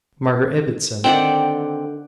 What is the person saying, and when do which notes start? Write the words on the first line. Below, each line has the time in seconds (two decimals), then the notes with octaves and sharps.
Margaret Ibbotson!
1.04 D3 D#3 C4 D5 F#5 G5